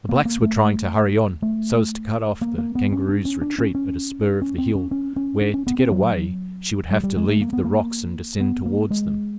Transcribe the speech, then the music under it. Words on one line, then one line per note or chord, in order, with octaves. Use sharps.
The Blacks were trying to hurry on, so as to cut off the Kangaroo's retreat at a spur of the hill, where, to get away, she would have to leave the rocks and descend towards them.
A#3
A#3
A3
A3
A#3
A#3
B3
C#4
D4
C#4
D4
C#4
C#4
C#4
C4
C#4
C#4
C#4
D4
C#4
B3
C4
F#3
G3
G3
G#3
A3
A#3
B3
A#3
B3
A#3
G#3